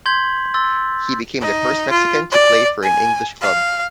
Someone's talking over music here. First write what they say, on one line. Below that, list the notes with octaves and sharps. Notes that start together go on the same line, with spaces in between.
He became the first Mexican to play for an English club.
C6 G6 G#6 B6 F#7
C6 E6 A6
D#4
F4
D5
G#5
F5